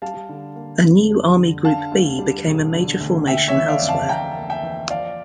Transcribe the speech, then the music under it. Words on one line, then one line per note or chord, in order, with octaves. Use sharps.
A new Army Group B became a major formation elsewhere.
G3 F5 A5
D3
A#3
F2
G3
D3
D3 F5 A5
D2
G3
E1
D3
D2
A#3 E5 G5
C#5 E5
E3
D5 F5
F2
F5 A5
F2 G5 A#5
A#3
E5 G5
E3
F3 D5 F5